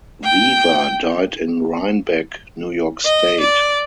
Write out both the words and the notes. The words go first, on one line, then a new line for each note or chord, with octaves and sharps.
Weaver died in Rhinebeck, New York state.
G5
D#5
D5